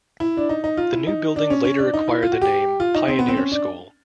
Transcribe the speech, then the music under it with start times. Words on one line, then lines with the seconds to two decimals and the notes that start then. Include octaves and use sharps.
The new building later acquired the name "Pioneer" School.
0.20 E4
0.37 D4
0.49 D#4
0.64 D#4
0.77 F4
0.92 E4
1.07 D#4
1.36 D4
1.50 C#4
1.65 C#4
1.79 D4
1.94 D#4
2.08 E4
2.22 F4
2.32 F#4
2.42 G4
2.80 F4
2.95 D#4
3.08 C4
3.19 B3
3.28 C4
3.37 C#4
3.52 D4